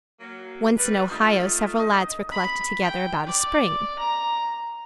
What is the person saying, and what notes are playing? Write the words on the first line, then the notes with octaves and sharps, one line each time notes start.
Once in Ohio several lads were collected together about a spring.
F#3 A#3
G3 B4
A3 D#4 F4
D#5
B5
G5
D5
A#5